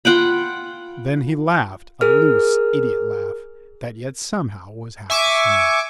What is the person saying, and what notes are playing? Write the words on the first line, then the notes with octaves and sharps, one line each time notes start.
Then he laughed, a loose, idiot laugh, that yet somehow was half a sneer.
F4 F#5 G5 B5
G#4 A#4 F6
E5 G#5 C#6 D6